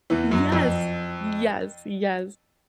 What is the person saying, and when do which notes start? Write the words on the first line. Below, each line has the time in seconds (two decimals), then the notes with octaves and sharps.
Yes, yes, yes.
0.10 E2 E3
0.31 F#2 F#3
0.52 F2 F3